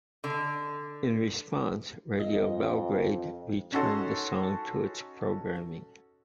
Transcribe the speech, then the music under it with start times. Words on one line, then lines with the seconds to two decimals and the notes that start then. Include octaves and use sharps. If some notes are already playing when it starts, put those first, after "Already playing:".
In response, Radio Belgrade returned the song to its programming.
0.24 D3
2.19 F2 D#5
3.72 C#4 D#4 F#4 A4 C6